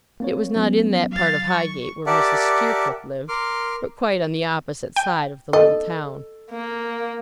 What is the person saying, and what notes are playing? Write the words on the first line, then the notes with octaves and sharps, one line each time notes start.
It was not in that part of Highgate where Mrs. Steerforth lived, but quite on the opposite side of the little town.
A#3 C4 C#5
F#3 B3 C#4
F#3 F5 A6
C#6
G4 A#4 D5 E5 F#5 A5
A#4 C6 D6 F6
G5
A4 D#5
A#3